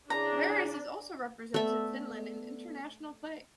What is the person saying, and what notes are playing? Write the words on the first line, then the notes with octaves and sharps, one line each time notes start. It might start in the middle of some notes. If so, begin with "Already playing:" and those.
Varis has also represented Finland in international play.
C#3 D4 E4 G#4 A#5
A3 B3 A4 D5 E5